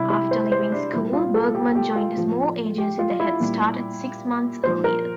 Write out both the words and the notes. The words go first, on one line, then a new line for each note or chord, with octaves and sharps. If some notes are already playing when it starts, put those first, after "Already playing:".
After leaving school, Bergman joined a small agency that had started six months earlier.
Already playing: C3 G3 E4
E4
C5
C5
D4
A#2 G3 E4
F4
A4
G4
G4
F4
A2 F3
G4
F4
E4
A#2 G3
A#2 F3 C5
A#4